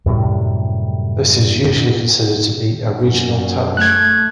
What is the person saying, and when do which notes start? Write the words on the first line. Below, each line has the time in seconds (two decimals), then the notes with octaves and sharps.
This is usually considered to be a regional touch.
0.06 F#2 A2 C3 G3
3.00 F#2
3.77 A3 F#6 G#6